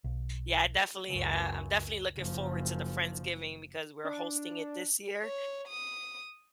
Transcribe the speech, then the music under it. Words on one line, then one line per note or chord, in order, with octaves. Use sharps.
Yeah, I definitely uh, I'm definitely looking forward to the Friendsgiving because we're hosting it this year.
B1
C#2 F#2
F#1 F3
D4
C#5
D#6